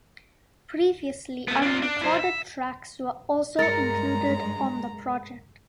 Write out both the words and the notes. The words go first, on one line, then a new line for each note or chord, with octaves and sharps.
Previously unrecorded tracks were also included on the project.
A3 B3
D4 F4
D4
E4 C5
E5
G2 G#3 A#4 A#5 A6 C#7